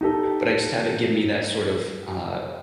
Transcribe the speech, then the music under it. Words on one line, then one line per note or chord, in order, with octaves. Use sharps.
But I just have it give me that sort of, uh,
D#4 G4 A4